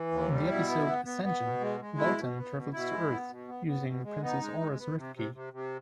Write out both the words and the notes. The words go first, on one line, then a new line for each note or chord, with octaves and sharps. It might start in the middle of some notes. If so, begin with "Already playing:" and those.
In the episode, "Ascension", Vultan travels to Earth, using Princess Aura's rift key.
Already playing: E3
D#2
G3
B2 E4
B3
B3
B3
B3
B2
G#3
G#3
B2 E4
B2
B3
B2
B2 E4
G#3
B3
B2
B3
B3
B2
G#3
B3 D#4
G#3
G#3
B3
C3
C3
C3
C3